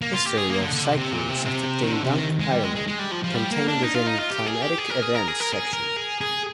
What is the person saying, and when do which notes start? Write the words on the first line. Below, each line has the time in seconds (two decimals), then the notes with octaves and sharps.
History of cyclones affecting Dunk Island contained within Climatic Events section.
0.02 A#3
0.13 F4
0.26 G4
0.37 G#4
0.49 A#3
0.61 D3
0.73 D3
0.85 C3
0.97 C3
1.13 A#2
1.29 C3
1.45 C3
1.83 D#3
1.92 D3
2.04 C3
2.16 D#3
2.40 G#3
2.52 G3
2.63 G#3
2.75 G#3
2.87 G#3
2.99 G3
3.11 F3
3.23 F3
3.35 G3
3.51 A#3
3.67 D4
3.82 D#4
3.94 F4
4.07 D#4
4.18 F4
4.30 G4
4.47 G#4
4.62 G4
4.78 G#4
4.90 A#4
5.03 G#4
5.15 A#4
5.28 G#4
5.40 A#4
5.53 G#4
5.73 A#4
5.97 G#4
6.21 G#4